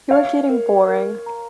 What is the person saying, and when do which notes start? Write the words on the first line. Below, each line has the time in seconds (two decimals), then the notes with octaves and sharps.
You're getting boring.
0.11 C#5 E5 F5
0.49 A#4
0.88 A#4
1.26 A#5